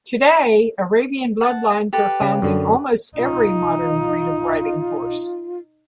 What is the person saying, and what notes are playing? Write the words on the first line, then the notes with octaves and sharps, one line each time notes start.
Today, Arabian bloodlines are found in almost every modern breed of riding horse.
F#5 A5
G4 A4 B4
C#3
F#2 D3
D#4 F4